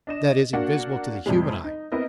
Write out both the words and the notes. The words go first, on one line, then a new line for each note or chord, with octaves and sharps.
That is, invisible to the human eye.
D4 D#5 E7
A#3 D4 F#4 F#5
F2 C3 G3 G#3
D#4
B3 C4 E4 A#4 D#5